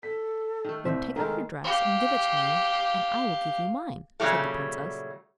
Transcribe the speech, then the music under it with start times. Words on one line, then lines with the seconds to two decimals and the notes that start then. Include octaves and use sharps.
'Then take off your dress and give it to me, and I will give you mine,' said the princess.
0.03 A4 B6
0.65 D#3 A3
0.85 C2 C5 E5
1.16 D#3 G#3 A4 A#4
1.64 G4 F5
4.20 A#2 C#3 F#3 G3 A3